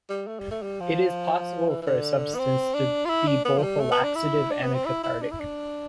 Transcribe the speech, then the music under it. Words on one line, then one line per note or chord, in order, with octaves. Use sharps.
It is possible for a substance to be both a laxative and a cathartic.
G3
A3
G3
A3
G3
F3
E3
E3
D3
B3
C4
D4
F4
E4
D4
B3
F3
G3
A3
B3
D4
E4
D4
B3
C4
E4
E4
D4
E4
D4